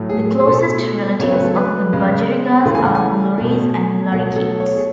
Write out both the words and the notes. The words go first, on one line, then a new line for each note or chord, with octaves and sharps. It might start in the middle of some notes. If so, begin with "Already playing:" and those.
The closest relatives of the budgerigar are the lories and lorikeets.
Already playing: A2 F#3 A3
G#4
G#4
B2 A3 A4
C#3 F#3 A3 C#5
B4
A4
B4
C#3 G#3
C#3 E3 A3
G#5
F#5
G#5
B2 A3
B2 F#3 A3 F#5
A4
C#5
G#4